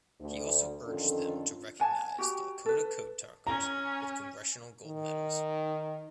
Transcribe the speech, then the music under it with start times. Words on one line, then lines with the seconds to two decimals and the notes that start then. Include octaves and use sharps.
He also urged them to recognize the Lakota code talkers with Congressional Gold Medals.
0.20 D2
0.85 F2 D3 D#3 C#4 F4 A4
1.80 F#5 G#5 A5
2.18 F#4 G4 G5
2.66 A4 B4
3.47 C#4 A#5
4.86 D#3